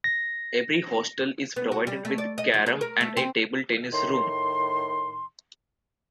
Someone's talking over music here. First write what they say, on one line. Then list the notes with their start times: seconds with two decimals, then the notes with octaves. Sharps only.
Every hostel is provided with carom and a table-tennis room.
0.04 A#6
1.56 B3
1.72 F#4
1.87 G3
2.05 A3
2.18 D5
2.38 D#5
2.54 F3
2.66 G#4
2.81 A#4
3.01 A3
3.17 C4
3.93 A2 D#3 C6